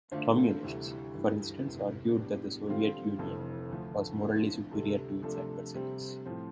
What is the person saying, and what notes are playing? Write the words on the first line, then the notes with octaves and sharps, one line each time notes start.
Communists, for instance, argued that the Soviet Union was morally superior to its adversaries.
D3 A3 D4 F4 C5
D2 C3 E3 G3
G2 E3 G3
F1 E2 C3
A2 G3 B3 D4
D3 G3 C4 F4
F1 F2 E3
D2 D3 F3
D3 F3 A3 C4 E4
D2 C3 G3 D4 A4
C3 F3 A3 D4 A4
C3 G3 C4
A2 F3 C4